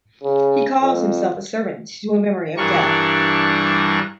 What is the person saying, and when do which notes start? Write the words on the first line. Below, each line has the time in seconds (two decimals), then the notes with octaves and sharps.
He calls himself a servant to a memory of death.
0.23 C#3
0.82 F2
2.57 G2 E3 G3 D4 A#4 C#6